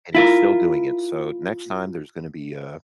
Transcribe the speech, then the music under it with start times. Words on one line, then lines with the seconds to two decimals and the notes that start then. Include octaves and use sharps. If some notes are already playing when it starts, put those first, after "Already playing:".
And he's still doing it, so next time, there's gonna be a
0.15 E4 F4 A#4